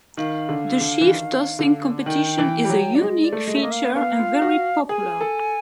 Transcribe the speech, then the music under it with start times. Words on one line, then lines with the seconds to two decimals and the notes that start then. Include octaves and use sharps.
The Sheaf Tossing Competition is a unique feature and very popular.
0.17 D#3 F5
0.49 D3
0.80 D3
1.01 E3
1.11 D#3
1.59 D3
2.06 D#3 G5
2.38 E3
2.64 G3
2.70 F#3
2.95 D5
3.01 G#3 D#5
3.24 D5
3.33 A3
3.47 G#3 D#5
3.55 A3 E5
3.62 A#3 D#5
3.71 F5
3.95 B3 F5
4.19 F4
4.42 F#4
4.89 G#4 G#5
5.21 A4